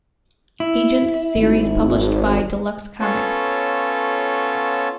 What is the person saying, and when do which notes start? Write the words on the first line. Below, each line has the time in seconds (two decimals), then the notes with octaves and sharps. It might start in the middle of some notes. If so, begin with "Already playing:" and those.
Agents series published by Deluxe Comics.
0.60 E4
1.35 G#1
3.00 B3 C#4 F4 A4 C#5